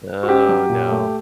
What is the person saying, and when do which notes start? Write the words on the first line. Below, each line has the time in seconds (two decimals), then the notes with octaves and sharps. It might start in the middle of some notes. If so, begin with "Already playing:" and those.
Oh no.
0.23 F#4
0.29 C#4 G4
0.49 F#3
0.69 A#2
0.89 A3